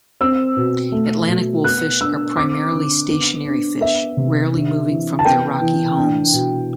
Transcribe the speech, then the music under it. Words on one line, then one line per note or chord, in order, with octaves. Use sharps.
Atlantic wolffish are primarily stationary fish, rarely moving from their rocky homes.
C4 E6
B2
A3
B2
B3 F#6
D4 E6
C4 D6
D3
B3
D4
B3 E5
C3
D4
E3
A5
B3 G5
E3
D4
B2